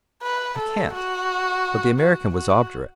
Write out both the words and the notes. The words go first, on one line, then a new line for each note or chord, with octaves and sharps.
I can't!' But the American was obdurate.
B4
A4
F#4
F#4
F#4